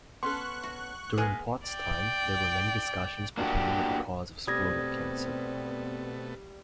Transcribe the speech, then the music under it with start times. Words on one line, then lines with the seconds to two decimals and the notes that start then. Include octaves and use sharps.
During Pott's time, there were many discussions pertaining to the cause of scrotal cancer.
0.23 B3 C#4 A4 C6 C#6 F#6
0.63 F#4
1.18 G#3 A#3 B3 G#4 B4
1.67 D5 G5
3.37 A#3 D4 F#4 G4
4.47 B2 G3 A3 B3 C4 D#6 G#6 A#6